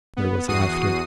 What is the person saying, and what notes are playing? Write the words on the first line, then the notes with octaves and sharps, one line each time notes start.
There was laughter.
B3
E2 F#4 D#6 C7 D#7